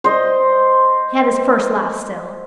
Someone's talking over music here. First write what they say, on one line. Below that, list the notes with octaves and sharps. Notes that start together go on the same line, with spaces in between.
He had his first laugh still.
C5 D#5